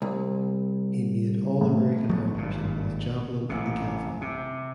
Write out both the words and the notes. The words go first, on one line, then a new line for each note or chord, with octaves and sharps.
He made All American honors in both javelin and decathlon.
C2
A2
F3 A3 B3
G#1 A#2
A1 C3
C3